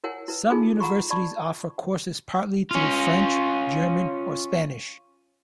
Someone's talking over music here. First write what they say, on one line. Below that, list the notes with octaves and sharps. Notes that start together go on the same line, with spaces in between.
Some universities offer courses partly through French, German or Spanish.
E4 A#4 C#5 F#5 G#5
E4 B4
D#4 F4 G#4 A4 G#5 D6
F#5 A#5 B5 C#6
D5 A5 B5 C#6
C#4 F4